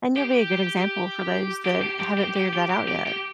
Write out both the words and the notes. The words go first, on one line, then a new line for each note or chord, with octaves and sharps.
And you'll be a good example for those that haven't figured that out yet.
G4
G4
G4
G4
G4
G4
G4
G4
G4
G4